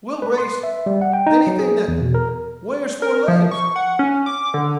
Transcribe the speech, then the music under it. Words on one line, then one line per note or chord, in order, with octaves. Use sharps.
We'll race--anything that--wears four legs.
B4
C6
E5
G3
F#5
G5
D#4
F#3
G#4
E2
B2
A#4
A#4
F3
C#6
F#5
C#4
D6
D3